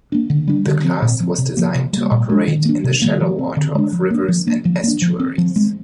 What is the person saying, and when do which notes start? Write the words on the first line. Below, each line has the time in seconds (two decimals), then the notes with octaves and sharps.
The class was designed to operate in the shallow water of rivers and estuaries.
0.12 A#3 D4
0.30 D3
0.48 G3 D4
0.66 D3
0.84 F3 C4
1.02 A#2
1.20 F3 C4
1.38 C3
1.57 F3 A#3
1.75 C3
1.93 G3 A#3
2.11 A#2
2.29 G#3 D4
2.48 D#3
2.65 A#3 D4
2.84 C3
3.02 D#3 G3 A#3
3.20 F3
3.39 C4
3.57 D3
3.75 G#3 D4
3.92 F3
4.10 A#3 D4
4.28 F3
4.47 A#3 D4
4.65 F3
4.84 A#3 D4
5.02 F3
5.19 C4
5.38 F3
5.56 G#3 C4